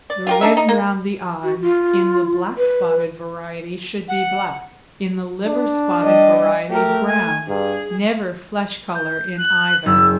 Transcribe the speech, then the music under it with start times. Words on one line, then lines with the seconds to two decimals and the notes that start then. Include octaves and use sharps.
THE RIM ROUND THE EYES in the black-spotted variety should be black, in the liver-spotted variety brown--never flesh-colour in either.
0.10 D5
0.27 F4 G4 A#4
0.41 D4 D#4 E5
0.57 D#4
0.69 A#3
1.43 F#4
1.62 F4
2.58 B4
4.08 F#5
5.47 D4
6.02 G3 D#5
6.70 A3 G4 A#4
7.07 G#5
7.48 G2 G#4
8.94 G6
9.37 F#6
9.86 F#1 E6